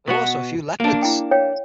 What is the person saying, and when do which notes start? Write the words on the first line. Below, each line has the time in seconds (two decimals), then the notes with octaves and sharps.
There are also a few leopards.
0.07 B2 B3 F#4
0.80 A#3 D4
1.02 E4 G5
1.31 C#5 F5 G5